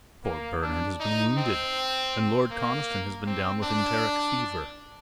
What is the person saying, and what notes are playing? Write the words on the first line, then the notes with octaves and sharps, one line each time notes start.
"Poor Bernard has been wounded and Lord Conniston has been down with enteric fever."
A#3
D4
D#4
C4
A#3
C4
D4